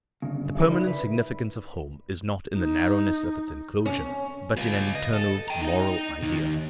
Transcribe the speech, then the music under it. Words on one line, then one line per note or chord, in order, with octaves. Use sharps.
The permanent significance of home is not in the narrowness of its enclosure, but in an eternal moral idea.
G1 C#3
C#3 G#4 A#4 E5
D#4 E4 D5
B4
D#4
C#4
F4 B4
D#5
A4
G5 A#5
D#4 D#5
D#2 D#4